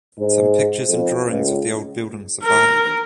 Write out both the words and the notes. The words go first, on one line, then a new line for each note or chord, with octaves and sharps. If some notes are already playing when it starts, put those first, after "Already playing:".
Some pictures and drawings of the old building survive.
G#2
F2
C#2
A#4